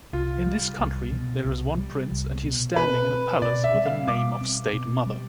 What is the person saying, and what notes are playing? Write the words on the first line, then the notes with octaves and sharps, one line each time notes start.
In this country, there is one prince and he is standing in a palace with a name of state mother.
C2 F4
G3
C2
B2
C2
G3
C2
B2
B2 B4
C4
B2 D5
E5
G3
F5
B2 D6
C4
B2
G3